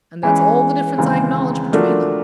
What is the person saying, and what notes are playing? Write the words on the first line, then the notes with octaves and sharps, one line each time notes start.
And that's all the difference I acknowledge between them.
E3 G#3 C#4
D#2 C#3 E3 G#3 C4
F3 A3 D4 F#4 A#4